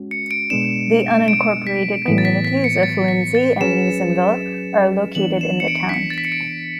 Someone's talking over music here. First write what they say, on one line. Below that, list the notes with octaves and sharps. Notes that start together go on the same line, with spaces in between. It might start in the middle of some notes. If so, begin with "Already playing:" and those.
The unincorporated communities of Lindsey and Nasonville are located in the town.
Already playing: G#3 C#4 F#4
C#7
D7
B2 G#3 B3 D4 E7
D7
B6
A2 E3 B3
A6
B6
B6
C#7
A6
B6
A6
F#3 C#4 G#4 B4 E7
E3 B3 D4 F#7
E7
C#7
D7
B6
C#7
A6
B6
C#7
D7